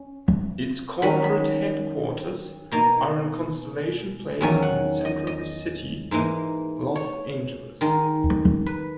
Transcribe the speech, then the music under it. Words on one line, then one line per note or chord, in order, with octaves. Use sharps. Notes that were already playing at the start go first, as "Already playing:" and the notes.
Its corporate headquarters are in Constellation Place in Century City, Los Angeles.
Already playing: C#4
D#3 F#3 C#4 B5
B5
B2 A#3 D#4 A#5
E2 D#3 F#3 C#4 G#5
F#5
D#5
D#5
G#2 E3 A#3 D#4
C#5
D#3 G#3 D#4
B4